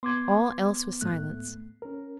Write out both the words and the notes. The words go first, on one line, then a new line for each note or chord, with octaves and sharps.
All else was silence.
B3 C6 D6 G#6
A2 A3 F#6
C#4 A#4